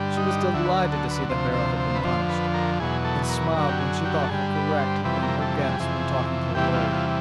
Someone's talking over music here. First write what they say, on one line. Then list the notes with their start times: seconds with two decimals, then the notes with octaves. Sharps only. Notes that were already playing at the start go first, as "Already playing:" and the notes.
She was delighted to see that Beryl had been punished, and smiled when she thought how correct had been her guess when talking to the lawyer.
Already playing: G2 D3 G3
0.17 D#4
0.54 D2 D3 F#3 E4
0.65 B4
0.73 A#4
0.92 A4
1.11 B4
1.29 D2 C3 F3 C5
1.54 C5
1.80 C5
1.95 B4
2.04 F2 D3 F3 C5
2.29 B4
2.54 A#4
2.80 E2 B2 F#3 G#4
3.04 A4
3.29 A#4
3.54 F#2 D3 F#3 A#4
3.69 G4
3.80 G#4
4.05 G4
4.23 A4
4.29 G2 D3 G3 G#4
4.55 B4
4.80 C5
5.04 F2 C3 E3 G3 B4
5.23 A#4
5.41 A4
5.60 G#4
5.80 F2 C3 E3
6.54 E2 C3 E3 G3 G4
6.74 F4
6.93 F4